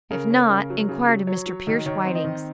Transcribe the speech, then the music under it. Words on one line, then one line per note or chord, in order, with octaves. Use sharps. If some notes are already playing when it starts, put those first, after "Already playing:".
If not, inquire to Mr. Pierce Whiting's.
C#3 A#4
C#4
C#3
F#3
C#3
F#3
F#3 C#5
F#3
D#3
D#3 C#5
C4
D#5
D#3